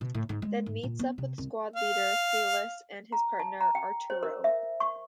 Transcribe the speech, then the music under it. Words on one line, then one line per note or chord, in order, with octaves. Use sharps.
Then meets up with squad leader, Silas and his partner Arturo.
B2
A2
G#2
G#3
G#2
A#2
B3
C3
C2
F5
A#5
A5
A#5
G5
C5
A#4
E5
C#6